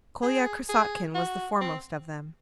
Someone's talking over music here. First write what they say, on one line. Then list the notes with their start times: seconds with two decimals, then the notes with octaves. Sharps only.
Kolya Krassotkin was the foremost of them.
0.23 G#4
0.69 G#4
1.15 F#4
1.61 C4